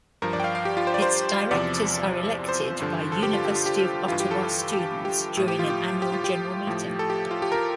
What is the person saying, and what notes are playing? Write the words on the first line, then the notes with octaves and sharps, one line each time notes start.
Its directors are elected by University of Ottawa students during an annual general meeting.
G2 F3 A#4
D5
G5
F5
F5
G4
F4
C5
D5
C5
E2 C3 F3 D5
C5
G2 D3 F3
A4
G4
F4
G4
F4
G4
G2 E3 F4
G4
A4
G4
G4
A2 F3
G4
F4
G4
G4
F4
G4
A2 F3
A4
G4
F4
G4
A#4